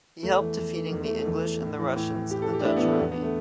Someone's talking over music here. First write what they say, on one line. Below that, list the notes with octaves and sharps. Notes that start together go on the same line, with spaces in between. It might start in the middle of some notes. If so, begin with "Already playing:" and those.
He helped defeating the English and the Russians in the Dutch army.
E2 A3
E3
E2
E3
E2
A3
E3
A3
E2
E3
A2
E3
A2
E3
A2 G4
A4
E3
G4
D4
A2 E4
B3
E3
A3
E2 B3
B3
D3
A3